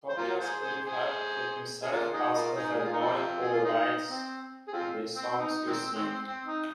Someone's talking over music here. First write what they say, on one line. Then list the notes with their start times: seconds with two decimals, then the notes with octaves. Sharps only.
Tobias referred to himself as the boy who writes the songs you sing.
0.09 C5
0.17 F4 A#4
0.39 G#4 C5
0.61 G#4 C5
0.83 G#4 C5
1.82 G#4
1.92 F4 A#4
2.12 D#4 G#4
2.35 F4 A#4
2.56 D#4 G#4
2.79 G#4
2.85 F4
2.93 D#4
3.01 C4 F4
3.41 G#4
3.53 F4
3.64 D#4
4.08 C4
4.68 G#4
4.73 C4 F4
5.16 C4
5.39 D#4
5.67 D#3 G#3 C4
5.96 D#3 G#3 C4
6.26 C4
6.46 D#4